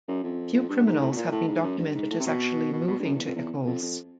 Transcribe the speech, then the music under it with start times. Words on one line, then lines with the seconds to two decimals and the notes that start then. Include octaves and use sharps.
Few criminals have been documented as actually moving to Echols.
0.08 F#2
0.23 F2
0.54 F2
0.69 G2
0.86 G#2
1.01 A2
1.11 B2
1.16 A#2
1.32 A2
1.48 G#2
1.63 F#2
1.79 G2
1.94 G#2
2.10 A2
2.20 C3
2.26 B2
2.73 B2
2.88 B2
2.99 G2
3.04 F#2
3.15 E2
3.25 F2
3.35 E2
3.67 F2
3.82 F2